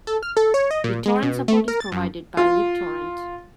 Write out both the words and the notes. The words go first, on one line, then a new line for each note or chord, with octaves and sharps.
BitTorrent support is provided by libtorrent.
A4
F6
A4
C#5
D#5
A#2
G#3
B2
A3
A#4
A6
F#2
F4